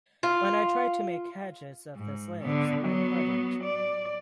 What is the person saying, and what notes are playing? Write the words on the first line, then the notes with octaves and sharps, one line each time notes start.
When I tried to make hedges of the slaves, I couldn't.
F4
G#2
D3 B3
F#3 B3
D5